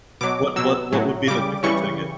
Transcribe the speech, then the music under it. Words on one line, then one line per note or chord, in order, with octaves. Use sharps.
What what what would be the difference, I gue
B2 F#3 D6
B2 F#3 E6
A2 F#3
C#3 G3 D6
C#3 E3 G3 C#6